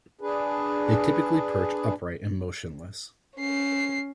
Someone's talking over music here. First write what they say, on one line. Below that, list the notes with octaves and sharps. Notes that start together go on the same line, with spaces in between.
They typically perch upright and motionless.
D4 G#4 B4
C#4 C7